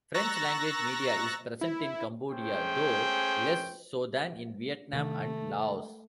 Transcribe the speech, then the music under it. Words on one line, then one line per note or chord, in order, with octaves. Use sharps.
French-language media is present in Cambodia, though less so than in Vietnam and Laos.
A#5 C#6 E6 F#6 A6 A#6
E4
A3 C#4 G#4 C5 G5
C3 D#3 A3